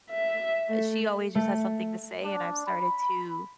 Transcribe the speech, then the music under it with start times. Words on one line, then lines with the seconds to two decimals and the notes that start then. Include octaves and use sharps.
Eh, she always just has something to say, and I've started to
0.11 E5
0.69 A3
1.35 A3 C#7
2.24 D4
2.67 B5